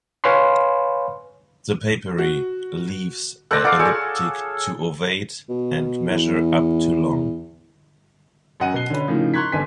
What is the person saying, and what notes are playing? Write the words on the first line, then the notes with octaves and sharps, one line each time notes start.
The papery leaves are elliptic to ovate and measure up to long.
B4 C#5 F5 G#5 B5 C6
F#4
A4 C5 D5 F#6 A#6
D5 F5 F#5 D6
G#4 A4 C#5
B2
E2
F#2 D#5 F#5 G#5 D#7
B2 F#6 C7 G7
D3 C#4 B4
A2 C#3 F3 A#3 D#4
A#5 C6 C#6 F#6 G#6 B6
G1 D3 G#5 B6